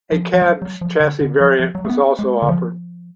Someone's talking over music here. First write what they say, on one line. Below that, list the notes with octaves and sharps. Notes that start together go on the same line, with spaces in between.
A cab chassis variant was also offered.
F3
F3
F#3
F#3
F3
D3
D3
F3
F3
F#3
A3
B3
G#3
D3
F3